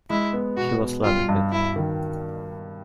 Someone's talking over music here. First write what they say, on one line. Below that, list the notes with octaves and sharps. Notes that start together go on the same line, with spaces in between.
He was loving it!
G#3 E4
B3
B2 F#4
B2
G3 F4
G2
G2 E4
D#3